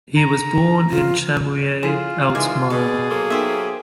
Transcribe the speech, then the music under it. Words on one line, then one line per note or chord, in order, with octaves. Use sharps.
He was born in Chamouilley, Haute Marne.
A#5
F4
F3 E4 F4 G#4 A4
D#3 E3 G#3 G#5 D6
B2 G#4 D5
F#3 A#3 A4 C6
B3 D#4 G4 A#4 C5 E5